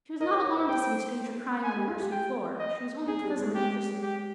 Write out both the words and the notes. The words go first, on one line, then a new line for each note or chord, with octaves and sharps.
She was not alarmed to see a stranger crying on the nursery floor; she was only pleasantly interested.
A#4 D#5
C#5
C#5
C5
C5 G5
G#5
G4
F4
G4
G5
D#5
D#4 G#4
G3
G#3
G#3 G4
G4